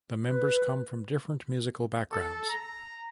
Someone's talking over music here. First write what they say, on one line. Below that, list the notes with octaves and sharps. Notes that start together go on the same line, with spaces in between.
The members come from different musical backgrounds.
B4
A4
A#5